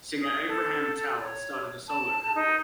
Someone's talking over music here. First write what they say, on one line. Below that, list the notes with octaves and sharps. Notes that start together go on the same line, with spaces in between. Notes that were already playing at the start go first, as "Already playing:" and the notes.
Singer Avraham Tal started a solo career.
D#6
A4
C#5
A5
D#4